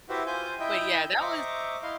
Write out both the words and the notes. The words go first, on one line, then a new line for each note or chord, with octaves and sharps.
but, yeah, that was
E4 F#4 G4 B4 C5 E5
F4 C5 G#5 G6
E4 D#5 E5 G5 G6
C5 D#5 E5 A#5 C#6 D6
E4 D#5 F5 C6